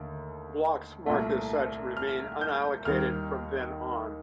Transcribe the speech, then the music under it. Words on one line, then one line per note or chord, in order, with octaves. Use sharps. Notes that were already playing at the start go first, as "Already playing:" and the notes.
Blocks marked as such remain unallocated from then on.
Already playing: D#2 D3 A3
C2 A#2 A3
F6
G6
D#2 D#3 G3 F6